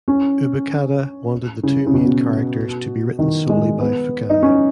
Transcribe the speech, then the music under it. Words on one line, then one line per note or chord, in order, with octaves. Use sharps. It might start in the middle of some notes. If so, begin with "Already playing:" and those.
Ubukata wanted the two main characters to be written solely by Fukami.
C#4
C#3
C#3
B2
D#3
G#3
B3
D#4
C#4